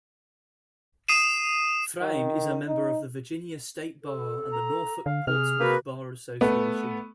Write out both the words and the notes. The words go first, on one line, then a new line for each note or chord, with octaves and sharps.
Fraim is a member of the Virginia State Bar and the Norfolk-Portsmouth Bar Association.
D#6 C7 D#7 E7
D#3
D#4
A4
A#5
D3 F5
C3 G#4 F6
A#3 F#4 B4
A3 B3